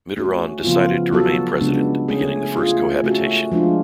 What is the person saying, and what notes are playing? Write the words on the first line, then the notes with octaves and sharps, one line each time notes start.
Mitterrand decided to remain president, beginning the first cohabitation.
A3 C#4 F#4
C#3 F3 B3 F4
F#3 B3 F#4 A4
C#3 G#3 B3 D4
A3 C#4 G#4
A3 F4 G#4
A3 C#4 F#4 A4
F3 G#3 D4 F4